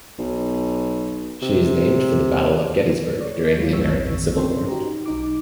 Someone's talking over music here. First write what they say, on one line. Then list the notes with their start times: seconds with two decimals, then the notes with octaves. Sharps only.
She is named for the Battle of Gettysburg during the American Civil War.
0.19 B1
1.42 C3
3.21 C#5 D5
3.57 F#3 G#3 E4 F4
3.73 A#1 F#2 A2 C4 C#6 E6
4.35 C4 C#4 C5 G5 C6
4.68 D#4 F#4 G4 A#5
5.06 B1 D#4 D6